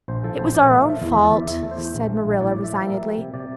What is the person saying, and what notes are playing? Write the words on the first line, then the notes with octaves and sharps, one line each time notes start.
"It was our own fault," said Marilla resignedly.
A#1 C5
F3 A4
A#1 C5
A#2 D5
F5
A3
F5
F3 E5
E2 F5
E2 E5
D5
E2 E5
E2 E5
A3
C5
E2
A#1
A3
A#1
A2 D5
A2 D5
E5
F3 F5
A#3 E5
G3
C3
C3 D5